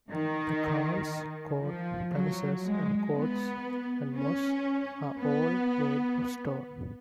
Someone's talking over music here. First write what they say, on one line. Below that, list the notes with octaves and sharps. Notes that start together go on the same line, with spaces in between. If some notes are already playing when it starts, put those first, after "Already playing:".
The khan's court, palaces, and courts, and mosques are all made of stone.
D#3
F3
F#3
G#3
B3
C#4
B3